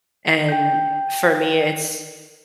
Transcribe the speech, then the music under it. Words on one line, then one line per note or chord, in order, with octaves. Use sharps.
and for me, it's
G5 G6